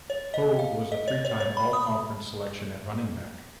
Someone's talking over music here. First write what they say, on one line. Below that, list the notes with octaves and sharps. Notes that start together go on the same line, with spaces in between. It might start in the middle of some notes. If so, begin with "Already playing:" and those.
Hoge was a three-time all-conference selection at running back.
C#5
D#5
F5
D#5
C#5
C#5
C#5
B5
D#6